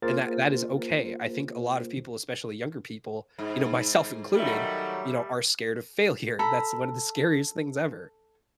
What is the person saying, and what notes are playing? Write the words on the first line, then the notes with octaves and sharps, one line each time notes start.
and that that is okay. I think a lot of people, especially younger people, you know, myself included, you know, are scared of failure. That's one of the scariest things ever.
A#3 F4 G#4 A#4 C5 A6
G#2
D#3 F#3 G3 A3
A4 A#5 B5